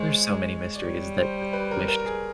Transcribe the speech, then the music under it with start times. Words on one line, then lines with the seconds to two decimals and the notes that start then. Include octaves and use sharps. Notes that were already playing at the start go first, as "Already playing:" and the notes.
There's so many mysteries that I wish
Already playing: G#3 C5 C#5
0.76 D5
0.83 G3 C#5
1.18 C5
1.53 B4
1.71 A#4
1.88 A#4
2.06 G#4